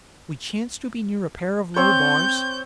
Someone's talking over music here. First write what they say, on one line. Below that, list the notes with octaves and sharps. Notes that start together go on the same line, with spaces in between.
We chanced to be near a pair of low bars.
C4 C#5 G6